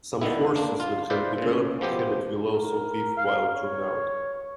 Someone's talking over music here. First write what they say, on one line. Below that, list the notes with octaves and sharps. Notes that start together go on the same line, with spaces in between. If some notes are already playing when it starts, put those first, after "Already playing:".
Some horses that have developed the habit will also weave while turned out.
D3 D#3 B3 E4
A#3 D4
F4 F5
F4 B4 C5 D5 E5
A#2 C#3
F3 B3 G4 C5
A#4
F5
C#5